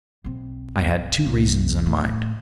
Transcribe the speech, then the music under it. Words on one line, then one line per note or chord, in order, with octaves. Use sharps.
I had two reasons in mind.
B1 C4
C2 A#3
A2